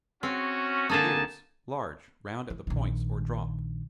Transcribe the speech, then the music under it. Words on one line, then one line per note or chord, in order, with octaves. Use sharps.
EARS--Large, round at the points or drop.
C4 C#4 F#4
D3 A#3 D#4 D#5 G#5 A5
E3
A#1 D#3